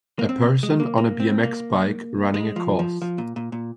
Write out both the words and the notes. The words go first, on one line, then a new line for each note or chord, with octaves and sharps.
A person on a bmx bike, running a course.
A#3
C4
G#3
A#3
A#3
C4
A#3
G#3
F3
F3
F3
A#2
A#2
A#2